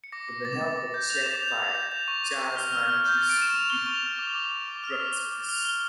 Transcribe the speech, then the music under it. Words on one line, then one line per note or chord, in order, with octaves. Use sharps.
With the help of Jetfire, Jazz manages to defeat Bruticus.
C#7
D6 A#6
D6 A#6
D6 A6
D6 A6
D6
G6
G6 F7
D6 E7
F7
G6
D6 F7
G6
G6
C#6
C#6
C#6
F6
F6
F6
F6 G6
A6
F6
D7
C#6 E7
C#6 F7
C#6 G7
C#6 F7
F6
D6
D6
D6
D6
F6
D6
D6
D6
F6 F7
F6 G7